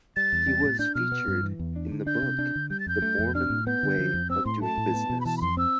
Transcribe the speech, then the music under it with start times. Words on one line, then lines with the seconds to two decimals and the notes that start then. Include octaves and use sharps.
He was featured in the book The Mormon Way of Doing Business.
0.16 G3 A6
0.33 E2
0.47 G3
0.63 A2
0.79 D4 G6
0.95 B2 F6
1.12 B3
1.28 G2
1.43 E3
1.59 E2
1.76 D4
1.92 D3
2.07 D4 G6
2.23 C3
2.39 D4
2.56 D3
2.70 G3 G6
2.80 A6
2.86 F2 G6
3.02 A3
3.19 F2
3.35 D4 F6
3.50 A2
3.67 B3 G6
3.83 D3
3.98 F3
4.14 F2
4.30 C4 E6
4.46 A2 C6
4.61 A3 A5
4.78 A2
4.94 B3
5.10 B2
5.21 B5
5.25 E3 A5
5.38 B5
5.41 F2 C6
5.57 C4 E6